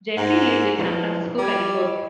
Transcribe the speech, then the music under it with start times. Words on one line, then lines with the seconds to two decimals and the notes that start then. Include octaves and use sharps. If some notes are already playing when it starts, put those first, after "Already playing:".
Gentry lived in San Francisco, California.
0.17 G#2 F#5 A#5 A#6
0.78 F3 E4 B4 D5
1.38 G3 D6 G#6
1.74 D#5